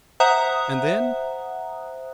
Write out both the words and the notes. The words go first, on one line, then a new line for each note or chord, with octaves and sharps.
"And then?"
C5 E5 F#5 A#5 D#6 F#6